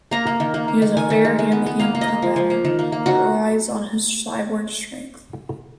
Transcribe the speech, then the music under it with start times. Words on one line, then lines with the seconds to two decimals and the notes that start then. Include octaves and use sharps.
He is a fair hand-to-hand combatant, but relies on his cyborg strength.
0.11 A#3 A#5
0.27 A#3
0.40 D#3
0.54 A#3
0.68 A#3
0.82 D#3
0.97 D#3 G#5
1.10 D#3
1.25 G#3
1.39 G#3
1.52 B3
1.66 B3
1.80 A#3 F5
1.95 A#3
2.01 D#5
2.08 A#3
2.22 F3
2.36 F3
2.50 A#3
2.65 D#3
2.79 A#3
2.92 A#3
3.06 D#3 F#4